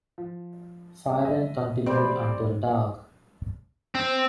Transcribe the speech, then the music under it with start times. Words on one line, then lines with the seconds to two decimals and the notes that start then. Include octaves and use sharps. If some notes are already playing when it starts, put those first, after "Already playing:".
Firing continued until dark.
0.18 F3
1.21 D#5 E5
1.86 G3 A3 C4 C5 D5
3.95 C4